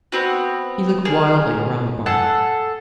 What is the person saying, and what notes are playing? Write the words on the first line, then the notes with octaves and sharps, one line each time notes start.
He looked wildly around the barn.
B3 C4 F#4
G#4 A#4
G#4 A4 F#5